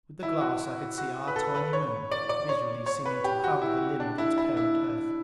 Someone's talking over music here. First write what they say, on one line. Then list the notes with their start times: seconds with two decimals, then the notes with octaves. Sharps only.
With the glass I could see our tiny Moon, visually seeming to hug the limb of its parent Earth.
0.23 E4
0.41 F#4
0.98 F#4
1.27 B4
1.36 A4
1.55 B4
1.73 C#5
2.11 D5
2.29 D5
2.49 C#5
2.86 C#5
3.05 B4
3.24 G4
3.44 F#4
3.62 E4
4.00 D4
4.18 E4
4.38 E4
4.57 E4